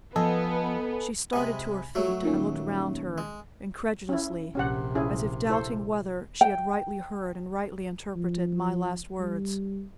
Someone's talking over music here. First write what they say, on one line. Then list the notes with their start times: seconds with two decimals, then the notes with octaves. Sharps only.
She started to her feet, and looked round her incredulously, as if doubting whether she had rightly heard and rightly interpreted my last words.
0.16 F3 B3 A4 D#5 G#5
1.33 C3 G#3 G#5 B5
1.95 F#3 A3 F#4 C#5
2.23 A#2 D#3 C#4
3.18 G#3
4.09 C#4 E4
4.55 A#1 C3 C#4 G4 F#5
4.95 C#4 E4 G#4
5.50 E4 A4 C5
6.41 G5
8.16 F3
9.19 G3